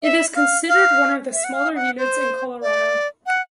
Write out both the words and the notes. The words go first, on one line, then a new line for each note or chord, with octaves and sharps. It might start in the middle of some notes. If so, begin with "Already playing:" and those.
It is considered one of the smaller units in Colorado.
E5
F5
F5
E5
F#5
F5
F#5
C5
D5
F#5